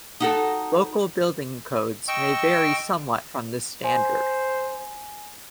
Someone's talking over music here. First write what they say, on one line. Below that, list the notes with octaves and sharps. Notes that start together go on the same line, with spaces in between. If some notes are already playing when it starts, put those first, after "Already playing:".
Local building codes may vary somewhat from this standard.
D#4 F#4 A4
D#5 G5 C#6 E6
C5 G#5